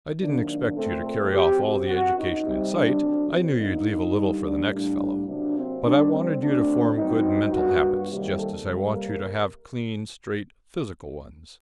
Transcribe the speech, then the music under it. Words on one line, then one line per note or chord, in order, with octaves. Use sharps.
I didn't expect you to carry off all the education in sight--I knew you'd leave a little for the next fellow. But I wanted you to form good mental habits, just as I want you to have clean, straight physical ones.
C3 D#3 F#3 A#3 D4
D4
A#2 A3 C4 A4
A4
C3 F#3 C4 G4
G4
F#2 F#3 C4 F#4
D#4
C3 G3 C4
D4
D3 F#3 C4
C4
D3 F#3 A#3 D#4
D3 G3 A#3
D4
A2 G3 A#3 D4
C3 F#3 A#3 D4
C4
D3 G3 C4 D4
C4
D3 F#3 A3 C4 D4
G2 F#3 C4 D#4
G2 F#3 A#3 F#4
C3 D#3 G3 A#3 G4
A4
C3 G3 A#3
A#4